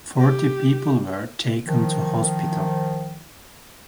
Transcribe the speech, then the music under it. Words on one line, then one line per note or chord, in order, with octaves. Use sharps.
Forty people were taken to hospital.
G4
D#3 F3